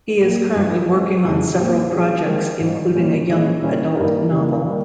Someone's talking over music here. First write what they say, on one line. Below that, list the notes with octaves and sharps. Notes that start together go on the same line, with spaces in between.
He is currently working on several projects, including a young adult novel.
A#2 G3 A#3
G2 F3 G#3 D#4
F3 G#3 C4 F4
F2 C#3 F3 G#3 D#4
A#2 F3 C4 G4
G3 C#4 F4 G#4
D#3 G#3 C4
G#2 G3 C4 F4
A#2 G3 C#4 G4
A#2 G#3 C#4 G#4 D#5
A#2 G3 A#3 C#4
G2 G3 A#3 D#4 A#4
C#3 G3 A#3
D#3 G3 A#3